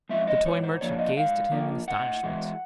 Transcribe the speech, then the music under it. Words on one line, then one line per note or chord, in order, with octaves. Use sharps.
The toy merchant gazed at him in astonishment.
F3 G#3 C4 E5
D#5
G#2 C#5
C5
F3 A#3 D4 C#5
D#5
G#2 F5
F3 A#3 D4
A2 F#5
E3 G#3